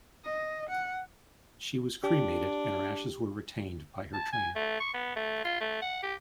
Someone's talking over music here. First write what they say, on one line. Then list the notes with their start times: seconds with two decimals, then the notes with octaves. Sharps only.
She was cremated and her ashes were retained by her trainer.
0.25 D#5
0.70 F#5
2.04 D4 G4
4.13 A5
4.33 G#5
4.55 A3
4.80 C#6
4.94 B3
5.16 A3
5.45 F4
5.61 A3
5.82 F#5
6.03 G4